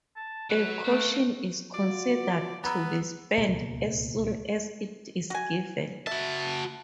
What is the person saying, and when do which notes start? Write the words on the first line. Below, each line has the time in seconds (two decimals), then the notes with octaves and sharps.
A caution is considered to be spent as soon as it is given.
0.16 A5
0.50 F#3 B4
0.84 A3 A#3
1.74 F4 F#4 D5
2.64 B3 A#5 B5 E6
3.38 D1 C#2 B2 A#3
5.30 F#4 G#5
6.07 F#4 E5 A5